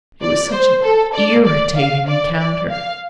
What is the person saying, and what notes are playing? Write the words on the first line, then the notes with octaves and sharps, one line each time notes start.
It was such an irritating encounter.
D5
C5
A4
D5
D5
F5
D5
D5
F5